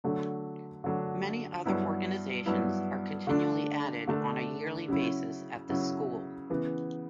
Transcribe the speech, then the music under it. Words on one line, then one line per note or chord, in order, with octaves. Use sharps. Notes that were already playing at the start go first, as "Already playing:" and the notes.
Many other organizations are continually added on a yearly basis at this school.
D3 F#3 A3 D4
D3 F#3 A3 D4
G2 F#3 B3 E4
G2 F#3 B3 E4
D3 A3 D4
D3 A3 D4
C#3 F#3 C#4 E4
C#3 F#3 C#4 E4
C#3 E3 B3